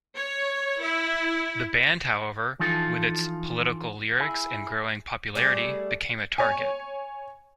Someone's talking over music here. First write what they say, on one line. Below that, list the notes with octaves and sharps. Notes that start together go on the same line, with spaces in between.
The band, however, with its political lyrics and growing popularity, became a target.
C#5
E4
E3 F3 D#4 F4 A4
E4 G#4
G3 A3 G#4 D5
C#5 G#5